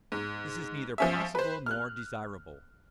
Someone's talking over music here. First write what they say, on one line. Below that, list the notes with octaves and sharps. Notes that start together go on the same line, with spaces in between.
This is neither possible nor desirable.
G#2
F3 C#4 E5
B4 C5
F6 F#6